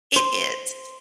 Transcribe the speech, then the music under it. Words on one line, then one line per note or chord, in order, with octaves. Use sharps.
It is.
C5